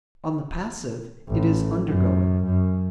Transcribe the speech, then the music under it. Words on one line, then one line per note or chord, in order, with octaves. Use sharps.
On the passive, it is undergoing.
A1
F#2
F#2